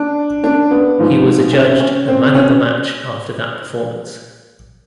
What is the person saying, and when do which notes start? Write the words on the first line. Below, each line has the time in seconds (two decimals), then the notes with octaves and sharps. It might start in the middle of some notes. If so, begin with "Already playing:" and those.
He was adjudged the man of the match after that performance.
Already playing: D4
0.44 D4
0.71 B3
0.98 G#2 F3 G#3
1.53 C#4
1.80 C#4
2.08 C4
2.35 C#4